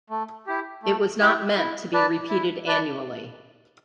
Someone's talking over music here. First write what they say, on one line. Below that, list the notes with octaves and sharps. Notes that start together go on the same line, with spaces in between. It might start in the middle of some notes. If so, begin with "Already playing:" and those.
It was not meant to be repeated annually.
A3
E4 G4
A3
E4 G4
E4
B4 D5 A5
E4
B4 D5 A5